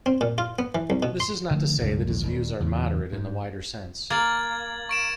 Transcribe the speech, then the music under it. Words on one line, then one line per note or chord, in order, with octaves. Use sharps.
This is not to say that his views are moderate in the wider sense.
C4
A#2
F4
B3
E3
C2
B2
C6
D3 D#3 F3 A3
C#2 G2 B2 G3
A#1 D#2 G#2 D3
D#1 A#1 D#3
E2 A2 C#3
G#2
A#3 G#6 A6 F#7
C#6 D7 E7